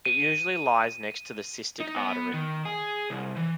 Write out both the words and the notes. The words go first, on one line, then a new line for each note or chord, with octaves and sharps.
It usually lies next to the cystic artery.
D#7
D#4
B3
D#3
G#4 G#5
C2
E3